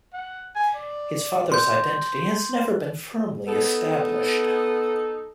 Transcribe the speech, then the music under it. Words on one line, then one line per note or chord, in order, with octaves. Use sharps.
His father's identity has never been firmly established.
F#5
G#5
D5
C6 G6
B3 D#4 A4